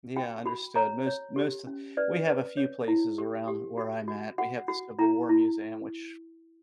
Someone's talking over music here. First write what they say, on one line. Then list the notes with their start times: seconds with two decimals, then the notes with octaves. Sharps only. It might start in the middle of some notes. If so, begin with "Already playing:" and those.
Yeah, understood, most most th we have a few places around where I'm at. We have this civil war museum, which
0.16 F#4 G5
0.45 F#4 B5
0.76 C#5 A#5
1.07 C#5
1.36 G4
1.67 C#4
1.97 B4 D5
2.27 B4
2.57 C#5
2.88 E4
3.18 G4
3.48 G4
3.78 F#4
4.08 F#4
4.38 F#4 F#5
4.68 F#4
4.99 E4 A#5
5.29 E4